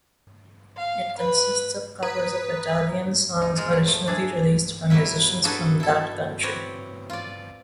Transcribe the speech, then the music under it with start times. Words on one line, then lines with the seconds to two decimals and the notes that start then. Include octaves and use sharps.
It consists of covers of Italian songs originally released by musicians from that country.
0.77 F5
1.17 B4
2.03 B4 A#5 D#6 G#6
3.41 D#4
3.56 A#2 G#3 A#4
3.71 F#3
3.86 F3 A3
4.08 D4 E4 G#4
4.90 F#3 G3 B3 E4 B4
5.44 D4 D#4 F#4 G#4 A4 B4
5.80 E4 A4
6.43 C4 B4 C#5 D5
7.10 F4 D5